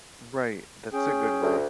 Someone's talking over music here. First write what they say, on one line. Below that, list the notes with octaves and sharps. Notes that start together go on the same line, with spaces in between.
Right, that's a good way.
C#4 G#4 G5
D2